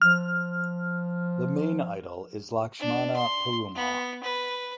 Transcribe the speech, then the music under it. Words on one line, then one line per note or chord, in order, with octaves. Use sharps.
The main idol is Lakshmana Perumal.
F3 F6
D4
C6
B3
B4